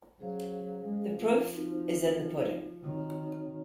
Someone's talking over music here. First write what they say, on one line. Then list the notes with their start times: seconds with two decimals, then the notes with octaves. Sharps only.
The proof is in the pudding!
0.20 F#3 C#4 G#4 C5 F5
0.86 G#3
1.19 F3
1.51 C4 D#4 F#4 C5
2.83 D#3 C4 D#4 F#4 C#5